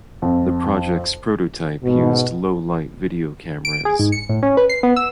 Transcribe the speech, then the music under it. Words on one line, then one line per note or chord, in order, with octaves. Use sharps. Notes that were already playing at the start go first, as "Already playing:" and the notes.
The project's prototype used low-light video cameras.
F2
G#2 B2
D7
G#4
G#2
C#7
A2
C#4
B4
C7
B3
E6